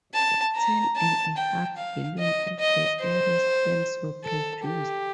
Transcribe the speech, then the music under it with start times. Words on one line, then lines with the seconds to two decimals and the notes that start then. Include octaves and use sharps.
Ten and a half billion of the error stamps were produced.
0.14 A5
0.55 A#5
0.96 A5
1.37 G5
1.77 F5
2.19 D#5
2.59 D#5
3.00 C5
4.24 A4
4.64 G4